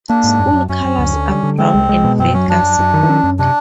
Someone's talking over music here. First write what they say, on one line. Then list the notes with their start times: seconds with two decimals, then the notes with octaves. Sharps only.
School colors are brown and Vegas gold.
0.09 A#3 D4
0.24 G#2
0.39 F#2
0.54 F#2
0.69 F#2 C#4
0.85 F#2
0.99 D2
1.13 D3
1.29 G3
1.43 D3
1.58 G#3 C4
1.74 C2
1.89 G#3
2.04 B2
2.19 F#2 C4
2.34 F#3 C#4
2.48 F#2 D4
2.63 F#2
2.79 F#2
2.94 D#3
3.09 C#4
3.24 F#2
3.39 C3 D4